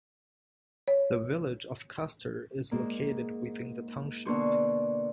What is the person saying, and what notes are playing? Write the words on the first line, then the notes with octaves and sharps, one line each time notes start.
The village of Custer is located within the township.
C#5
G#2 A#3
B2 D3 A#3 D4 C6 C#6